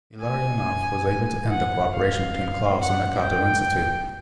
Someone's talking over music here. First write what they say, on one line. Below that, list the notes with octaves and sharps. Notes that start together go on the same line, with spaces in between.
Illarionov was able to end the cooperation between Klaus and the Cato Institute.
G#5
F#5
F5
F#5
G5